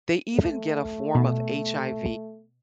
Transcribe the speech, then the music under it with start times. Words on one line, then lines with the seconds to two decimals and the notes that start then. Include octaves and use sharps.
They even get a form of HIV
0.34 A3
1.15 B2